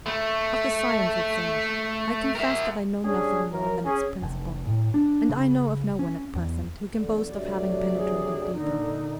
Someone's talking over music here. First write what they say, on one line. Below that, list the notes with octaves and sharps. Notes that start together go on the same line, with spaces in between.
Of the science itself, I confess that I know nothing more than its principle; and I know of no one at present who can boast of having penetrated deeper.
A3
A#4 E5
G3 C#4 D4 G#4
F#2 A#4
C#4 G#4
F1
A2
D4
C#3
C#4
E2
E2 D3
D2 C3 F#3 D5
G#4
A#2 D3 D#4